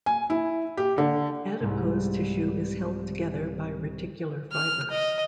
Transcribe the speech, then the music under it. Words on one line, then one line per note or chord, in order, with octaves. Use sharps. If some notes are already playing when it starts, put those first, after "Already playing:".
Adipose tissue is held together by reticular fibers.
G#5
E4
G4
D3
C2 G#2 C3
F6
D#5